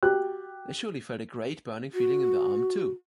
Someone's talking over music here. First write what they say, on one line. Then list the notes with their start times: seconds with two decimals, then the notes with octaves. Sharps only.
They surely felt a great burning feeling in the arm, too!
0.03 F#4 G4 F#6
1.94 F#4